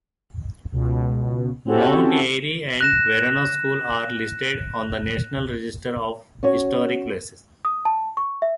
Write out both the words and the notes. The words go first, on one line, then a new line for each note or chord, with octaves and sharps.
Mount Airy and Verona School are listed on the National Register of Historic Places.
C#2 B2
C4 C#4 E4 F#4 G4 A4
F#6 A#6 E7
C#4 F#4 C#5
D#6
A5
C#6
E5